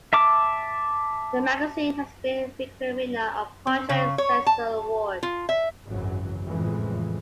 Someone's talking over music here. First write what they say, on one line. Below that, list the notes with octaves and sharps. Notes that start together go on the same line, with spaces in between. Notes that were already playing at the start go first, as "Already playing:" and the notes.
The magazine has been a frequent winner of Project Censored awards.
E5 A5 D6
C4
C#3
C#5
A5
F4
E5
G#1 C#2 F#2 C#3 E3 F#3
F2 A2 C#3 E3 G#3